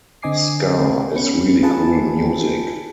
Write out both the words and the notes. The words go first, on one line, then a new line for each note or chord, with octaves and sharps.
Ska is really cool music.
D3 C4 D#5 G#5 D6 C7
B3 C#4 B4 C#7
F4 G#4 B4 G#5 A5